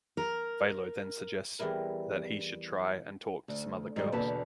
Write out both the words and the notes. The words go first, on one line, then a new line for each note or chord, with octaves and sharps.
Valo then suggests that he should try and talk to some other girls.
A#4
E2 E3 G3 E4 A#4
D2
G#2 D#3 G3 D#5
E2 B2 D3 A#3 B4 A5